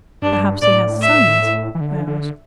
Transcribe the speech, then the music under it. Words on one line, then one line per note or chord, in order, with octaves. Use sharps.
'Perhaps he has sons?' I asked.
G2 D4
A2 D5
E5
E3
D3
D3